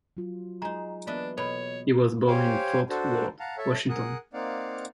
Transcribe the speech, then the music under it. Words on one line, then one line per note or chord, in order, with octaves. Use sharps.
He was born in Fort Ward, Washington.
F#3 F4
G#3 D#4 A#5
E3 A#3 B3 D4 B4 D#5 E5
B2 A4 C#5 B5
G4 C5 C#5 F5 G5 G#5
D4 F#4 A4 C5
F5 F#5 A5 A#5
A4 C#5 E5 A5
G#4 A#4 F#5 D#6 F#6
A#3 C4 D#4 D5 F5 F#5